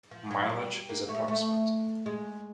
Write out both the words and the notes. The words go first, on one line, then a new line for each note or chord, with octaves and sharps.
Mileage is approximate.
F3
F#3
G3
A#3
A3
A3
G#3